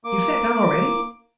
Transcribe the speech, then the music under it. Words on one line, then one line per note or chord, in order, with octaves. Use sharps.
You've sat down already?
A#3 D6